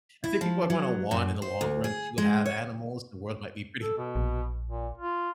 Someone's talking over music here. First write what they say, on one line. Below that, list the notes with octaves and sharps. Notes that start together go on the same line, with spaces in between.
I think people are gonna want in the long run to have animals, the world might be pretty
E4
F3
F#3
F#2
C5
D2
G#4
G#3
C#5
A4
B2
A#1
A#2
F4